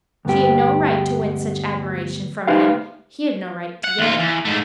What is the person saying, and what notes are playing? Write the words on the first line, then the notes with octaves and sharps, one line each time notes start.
She had no right to win such admiration from him--he had no right to give it.
D2 G2 B3 G4
D#4 G4 B4 C5 E5 F5
F#5
D#2 F4
E2
G#2 A3